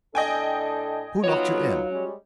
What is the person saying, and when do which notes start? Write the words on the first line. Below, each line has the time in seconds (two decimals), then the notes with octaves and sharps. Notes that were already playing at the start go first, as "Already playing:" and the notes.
"Who locked you in?"
0.15 A2 D4 A4 D#5 G5 G#5
1.24 B3 D#4 F4 F#4 C#5
1.91 G3 G#3 C#4